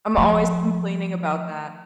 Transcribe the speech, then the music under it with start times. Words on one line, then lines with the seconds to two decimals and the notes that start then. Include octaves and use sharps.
I'm always complaining about that.
0.18 F3 A3